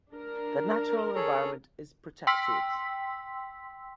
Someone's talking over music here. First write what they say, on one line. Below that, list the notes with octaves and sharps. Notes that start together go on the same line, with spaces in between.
The natural environment is protected.
D4 A#4
G#4 A4 C#5
G5 C6 E6 B6